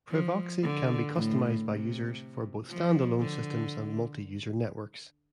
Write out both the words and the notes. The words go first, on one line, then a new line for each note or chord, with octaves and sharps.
Privoxy can be customized by users, for both stand-alone systems and multi-user networks.
F3
D3
A2
C3
F3
D3